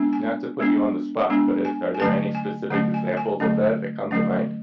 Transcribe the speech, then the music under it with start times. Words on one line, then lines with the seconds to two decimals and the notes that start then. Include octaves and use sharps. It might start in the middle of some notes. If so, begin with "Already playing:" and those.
not to put you on the spot, but it are there any specific examples of that that come to mind?
Already playing: G#3 B3 D4
0.13 G#5
0.60 G#3 B3 D4
1.30 G#3 B3 D4
1.65 G#5
1.95 G#5
2.00 D3 F#3 A3 C#4 A5
2.35 G#5
2.70 D3 F#3 A3 C#4 F#5
2.94 G#5
3.17 G#5
3.40 D3 F#3 A3 C#4
4.11 D3 F#3 A3 C#4